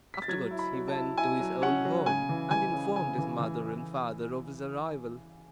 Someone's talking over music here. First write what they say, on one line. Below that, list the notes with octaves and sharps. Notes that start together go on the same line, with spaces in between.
Afterwards he went to his own home, and informed his mother and father of his arrival.
B6
A6
F#3 G#6
E4
B5
F#3
A5
E4
E4 G#5
F#3
C#4 F#5
F#3
C#3 G#5
E3
E3 G#5
C#3
C#3 G#5
E3
E3